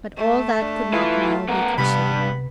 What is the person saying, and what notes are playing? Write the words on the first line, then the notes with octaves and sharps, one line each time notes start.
But all that could not now be considered.
A3
D4
E4 F4 B4
B3 A#4 F#5
G2 C3 B3 B5